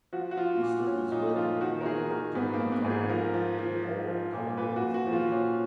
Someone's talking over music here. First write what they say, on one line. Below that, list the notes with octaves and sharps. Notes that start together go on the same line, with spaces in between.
Easter is reckoned by the Julian Calendar in the Old Calendarist way.
F3 F#4
F#4
F3 F4
A#2
A#2 C#4
A#2 D#4
F3 F4
D#3 F#4
A#4
D#3 G#4
D#3 A#4
G#2 B3
A#3
G#2
B3
G#2
G#4
F3 A#4
F3
F3
F3
F3
A#2
A#2 B4
F#4
A#2
F#4
F3
F4
A#2 C#4